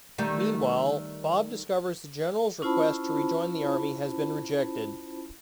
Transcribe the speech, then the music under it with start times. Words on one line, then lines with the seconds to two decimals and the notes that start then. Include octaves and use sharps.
Meanwhile, Bob discovers the General's request to rejoin the army has been rejected.
0.18 D#3 G3 A3
2.62 C#4 E4 F4 C5 A5 B5